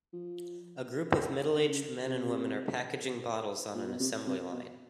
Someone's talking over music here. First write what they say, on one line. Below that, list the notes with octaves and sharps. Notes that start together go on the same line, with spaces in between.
A group of middleaged men and women are packaging bottles on an assembly line.
F3
D3
C#3
C3
A#2
B2
C3
C3
B2